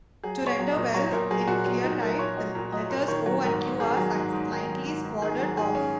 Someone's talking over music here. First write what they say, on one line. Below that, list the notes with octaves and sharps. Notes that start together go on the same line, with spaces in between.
To render well in ClearType, the letters "O" and "Q" are slightly squared-off.
F#3 G#4
A#2
C#5
F#3
A#2 D#5
F#3 C#5
A#2 A#4
F#3 G#4
A#2 F#4
F#3
A#2 D#4
F#3 A#4
A#2 C#5
F#3 D#5
A#2
F#3 D#5
A#2
D#3 C#5
F#3
G#2 A#4
G#2
D#3 G#4
F#3
G#2
G#2
D#3
F#3
G#2
G#2
D#3 G#4
F#3
G#2 G#4
C#4